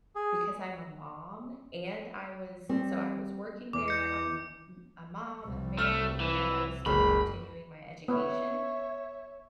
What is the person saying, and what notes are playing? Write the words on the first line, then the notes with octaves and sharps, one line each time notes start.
because I'm a mom, and I was so I was working there, I'm a m a mom, I'm married, and I was still continuing my education,
G#4
G3 C4
E2 D6
G6 C#7
C2 G3
A3 F6
E3
F#1 C#2 B5
B3 C#5 E5